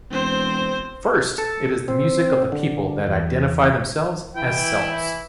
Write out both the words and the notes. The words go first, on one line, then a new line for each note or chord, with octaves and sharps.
First, it is the music of the people that identify themselves as Celts.
E1 C4 C5
A4
C4
D3
E2
E3 E4 G5